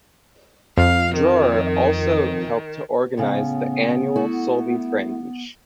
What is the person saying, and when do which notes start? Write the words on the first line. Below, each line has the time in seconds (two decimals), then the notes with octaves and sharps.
Drower also helped to organize the annual Sulby Fringe.
0.77 F2 F5
1.16 D#3
3.17 A2 C#3 B3
4.16 A3 E4 F#4